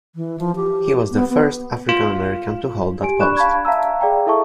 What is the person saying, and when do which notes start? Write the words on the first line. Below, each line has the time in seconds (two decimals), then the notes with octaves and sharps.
He was the first African American to hold that post.
0.15 E3
0.39 F3
0.56 G4
1.11 B3
1.29 B3
1.89 F4
3.02 G4 G#5 D7
3.20 D4 D5 B5 C#6 F#6 E7
3.37 F5 A5 B5 C#6 G#6
3.65 E5 F5 A5 A#5 E6
4.00 G#4 D5 F5 G5 A#5
4.26 E4 A4 E5 A5 C#6